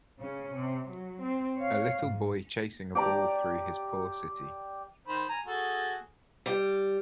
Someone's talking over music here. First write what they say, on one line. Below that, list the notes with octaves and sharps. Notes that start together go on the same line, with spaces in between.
A little boy chasing a ball through his poor city.
C#3 C#4
C3
F#3
C4
C#5 F5
G#2
G4 D5 A#5
D#3 C5 B5
G#5 A#5
F#4 G#4 A4
G3